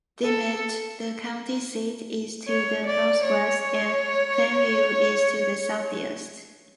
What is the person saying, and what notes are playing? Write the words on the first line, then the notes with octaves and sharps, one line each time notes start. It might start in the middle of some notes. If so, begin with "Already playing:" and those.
Dimmitt, the county seat, is to the northwest, and Plainview is to the southeast.
A4
C#5
D5
C#5